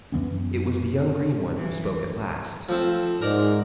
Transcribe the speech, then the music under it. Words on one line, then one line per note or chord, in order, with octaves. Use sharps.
It was the young green one who spoke at last.
F#2 E3 B3 C#4
E3
F3 A3 C4
G#2 A#4 D5